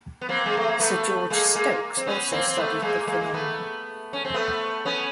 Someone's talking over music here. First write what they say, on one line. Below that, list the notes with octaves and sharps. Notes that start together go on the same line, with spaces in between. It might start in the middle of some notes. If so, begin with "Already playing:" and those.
Sir George Stokes also studied the phenomenon.
B3
A#3 C4
G#3
A3
A#3
A3 B3
G#3 A#3
G#3 A#3
C4
B3 C#4
A#3 C4
C4
A3 B3
G#3 A#3
G#3 A#3
A#3
A3 B3
C#4
C4
A3 B3
B3 C#4